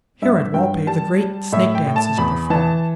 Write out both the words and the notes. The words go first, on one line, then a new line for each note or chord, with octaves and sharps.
Here at Walpi the great snake dance is performed.
G2 E5
G2 G5
G3 A5
G3
A2 E5
G5
A2
A5
E2 B5
E3 A5